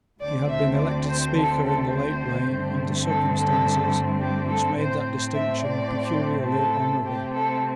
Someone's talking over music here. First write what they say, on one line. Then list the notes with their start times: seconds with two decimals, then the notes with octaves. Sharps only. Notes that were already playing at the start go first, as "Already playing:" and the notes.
He had been elected speaker in the late reign under circumstances which made that distinction peculiarly honourable.
0.21 D2 D3 A3 C4 D5
0.50 E5
0.78 D5
1.07 C5
1.35 A4
1.64 A4
1.92 C5
2.49 G2 D3 A3 C4
3.06 A4
3.35 A4
4.20 G4
4.48 A4
4.76 A2 A3 C4 C5
5.34 E5
5.62 D5
6.48 A4
7.04 C3 A3 C4 G4
7.33 A4